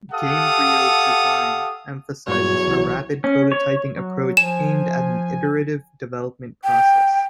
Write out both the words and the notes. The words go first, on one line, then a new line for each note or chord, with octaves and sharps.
Gamebryo's design emphasises a rapid prototyping approach aimed at an iterative development process.
G4 A4 F5 F#5 A5 D#6
E2 G2 F#3 C#5
C2 E3
C#4
C#5
F#3
F3 G#5 E7
G5